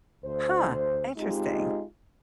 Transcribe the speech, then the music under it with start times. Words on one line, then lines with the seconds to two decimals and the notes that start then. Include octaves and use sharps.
Huh. Interesting.
0.24 D2 C5
1.17 G#3 C4 D#4 F4 G4